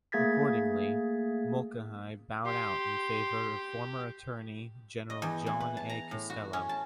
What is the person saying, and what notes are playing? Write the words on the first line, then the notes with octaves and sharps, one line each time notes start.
Accordingly, Mulcahy bowed out in favour of former Attorney General John A. Costello.
A3 A#3 G#4 G#6 A6 B6
G4 C6
D#5
E2
E3
B4
A5
A#5
A2
F#4
C#4
A5